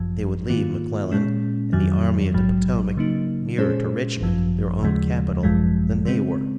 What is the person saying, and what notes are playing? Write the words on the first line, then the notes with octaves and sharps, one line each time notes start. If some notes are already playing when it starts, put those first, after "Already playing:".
They would leave McClellan and the Army of the Potomac nearer to Richmond, their own capital, than they were.
Already playing: G#1 F#2 F3
G#2 D#3 A#3 F4
A#2 G#3 C#4
F2 D#3 F#3
A#1 G#2 F#3
C#3 F#3 A#3 D#4
A#2 G#3 C#4 G#4 C5
G#1 F#2 F3
D#2 C#3 F3 G#3
G#1 F#2 F3 G#3
C#3 G#3 C4